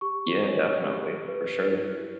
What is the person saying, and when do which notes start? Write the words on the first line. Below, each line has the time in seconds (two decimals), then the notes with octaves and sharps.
Yeah, definitely, for sure.
0.01 G4 C#6
0.43 C#5
0.85 G4
1.28 B4
1.70 E4